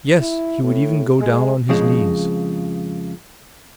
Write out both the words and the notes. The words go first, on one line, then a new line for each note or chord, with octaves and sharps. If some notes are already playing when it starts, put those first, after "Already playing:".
"Yes, he would even go down on his knees."
E4
A2
G#3
F2 C#3 F3 G#3